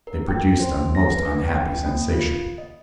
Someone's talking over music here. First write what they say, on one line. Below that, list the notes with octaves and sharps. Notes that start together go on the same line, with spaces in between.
They produced a most unhappy sensation.
A#4
G5
C5
A#6
B4
G#5
G5
A#3
F4
D#5